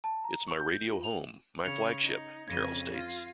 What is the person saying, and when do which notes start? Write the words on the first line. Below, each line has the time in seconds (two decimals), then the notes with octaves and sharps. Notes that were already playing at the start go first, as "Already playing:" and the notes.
It's my radio home, my flagship, Karel states.
0.04 A5
0.24 A#5
0.48 C#6
0.59 G6
0.91 F4
1.04 F7
1.65 C#3 G#6 C#7 F7
2.03 D#4
2.48 F2 C#3 G#6 A#6 D#7
2.93 F4